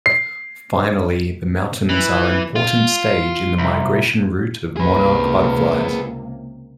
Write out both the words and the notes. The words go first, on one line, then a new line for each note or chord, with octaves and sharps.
Finally the mountains are important stage in the migration route of monarch butterflies.
C7
E3
F4
C2
C#2 C3 A#3 G#4 B4